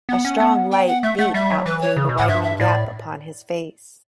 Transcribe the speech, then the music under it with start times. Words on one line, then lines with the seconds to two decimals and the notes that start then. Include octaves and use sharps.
A strong light beat out through the widening gap upon his face.
0.09 B3 F#5
0.25 C#4
0.40 B3
0.72 G5
0.87 F#5
1.03 A3 E5
1.19 A3 F#5
1.34 G3 E5
1.51 F#3
1.66 E3 B4
1.81 C#5
1.97 C#3
2.09 B2
2.18 A2 F#5
2.28 G2 E5
2.44 E5
2.60 A2 D5